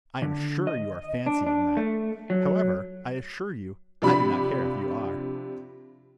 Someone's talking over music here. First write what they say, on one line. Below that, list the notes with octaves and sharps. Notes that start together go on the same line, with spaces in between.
I am sure you are fancying that ... However, I assure you I do not care if you are....
D3
D#5
D4
D4
A3
F#3
C3 F3 D4 B5